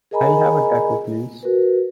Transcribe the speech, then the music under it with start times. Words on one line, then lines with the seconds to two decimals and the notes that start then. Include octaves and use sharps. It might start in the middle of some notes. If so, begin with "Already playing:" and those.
I'll have a Taco, please.
0.11 G#4 A#4 D#5 G#5 A#5 B5
1.43 F#4 A#4 B4